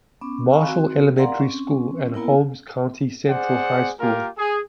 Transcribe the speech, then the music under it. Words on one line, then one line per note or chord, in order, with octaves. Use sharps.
Marshall Elementary School and Holmes County Central High School.
B3 C#4 D6
F5 G#5 A#5 B5 C#6
C4 F#4
A#4 D5 F5 F#5 A#5 C6
C4 C#4
A#3 B3 E4 A#4
G#4 C5 D5 F#5
A#3 F4 G4 A#4
G#4